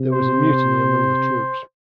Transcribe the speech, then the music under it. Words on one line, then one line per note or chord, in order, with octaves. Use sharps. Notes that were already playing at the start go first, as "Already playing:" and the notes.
There was a mutiny among the troops.
Already playing: C3
C5